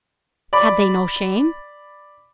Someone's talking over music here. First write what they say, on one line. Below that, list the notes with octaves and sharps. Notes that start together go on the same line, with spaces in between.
Had they no shame?
D5 B5